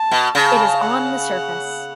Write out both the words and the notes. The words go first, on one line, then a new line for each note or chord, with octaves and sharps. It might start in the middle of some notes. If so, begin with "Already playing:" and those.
It is on the surface.
Already playing: A5
B2
C#3 A5
F#5